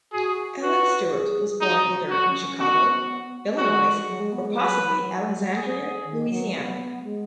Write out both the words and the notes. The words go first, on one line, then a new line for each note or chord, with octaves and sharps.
Ellen Stewart was born either in Chicago, Illinois or possibly Alexandria, Louisiana.
F#4 G#4
F#4 B4
G#4
D#4 F#4
C#4 F#4
C#4
B3 F#4
G#3 F#4
F#3
G#3
B3
G#3
F#3 B4
G#4
D#3
F#3
B3
G#3